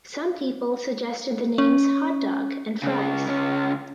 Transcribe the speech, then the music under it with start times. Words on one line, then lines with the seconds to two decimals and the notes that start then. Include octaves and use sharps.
Some people suggested the names "Hotdog" and "Fries".
1.58 C#4
2.83 C#3 G#3
3.27 C#2 C#4